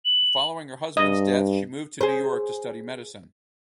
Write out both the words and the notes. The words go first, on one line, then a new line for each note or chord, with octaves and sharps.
Following her husband's death she moved to New York to study medicine.
F#7
G2 D#5
G#4 C5